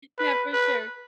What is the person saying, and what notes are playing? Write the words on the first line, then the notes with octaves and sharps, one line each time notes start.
yeah, for sure.
B4
B4